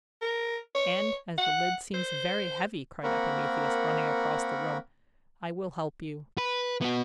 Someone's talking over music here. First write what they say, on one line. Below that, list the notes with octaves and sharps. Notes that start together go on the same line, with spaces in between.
"And, as the lid seems very heavy," cried Epimetheus, running across the room, "I will help you!"
A#4
C#5
F#5
C5
A#3 C4 A#4 F#5 B5 C#6
B4
B3 F#4